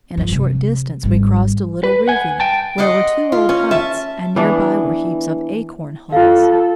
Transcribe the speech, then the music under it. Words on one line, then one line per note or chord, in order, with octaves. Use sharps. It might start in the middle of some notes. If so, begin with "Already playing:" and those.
In a short distance we crossed a little rivulet, where were two old huts and near by were heaps of acorn hulls.
G2 F3
C3
G#1 G3
B4
F#5 G#5
G5 A5
D#5 F#5 C6 D6
F4
C#4
E5 A5
E3 B3 D4
F4 A4 F5